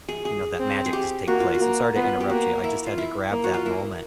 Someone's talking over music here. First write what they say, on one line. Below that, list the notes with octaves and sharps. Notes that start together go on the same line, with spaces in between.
you know, that magic to take place, and sorry to interrupt you. I just had to grab that moment.
G#4
G#4
C4
G#4
G4
A#3 F#4
F4
F#4
A#3
B3 F4
G4
A#3 F#4
E4
F4
E4
A#3
F#4
F4
A#3 E4